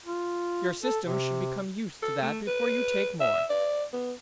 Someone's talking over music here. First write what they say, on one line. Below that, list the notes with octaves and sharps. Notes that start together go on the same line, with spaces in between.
"Your system should become used to that before you take more."
F4
A4
C3
A4
A3
B4
E5
D5
B3